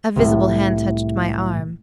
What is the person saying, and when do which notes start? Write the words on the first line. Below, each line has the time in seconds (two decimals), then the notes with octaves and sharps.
A visible hand touched my arm.
0.16 C2 A2